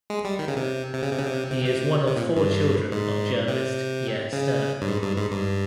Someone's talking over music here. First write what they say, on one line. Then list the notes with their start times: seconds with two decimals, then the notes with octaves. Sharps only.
He is one of four children of journalist Yair Stern.
0.10 G#3
0.25 G3
0.39 D#3
0.48 C#3
0.56 C3
0.94 C3
1.02 C#3
1.11 C3
1.18 C#3
1.26 C3
1.51 C3
1.65 C3
2.07 C3
2.17 A#2
2.36 G2
2.92 G#2
3.48 C3
4.33 C#3
4.82 G2
4.88 G#2
5.03 G2
5.17 G#2
5.31 G2